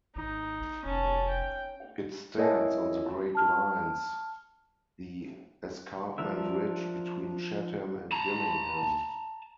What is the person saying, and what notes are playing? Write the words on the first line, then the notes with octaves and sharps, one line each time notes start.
It stands on the Great Lines, the escarpment ridge between Chatham and Gillingham.
G#1 D#4
F1 C#4 A5
G5
E4 A#4 C#5 D#5 G#5 A5
A5 F6
F3 D4 A#4 E5
A5 A#5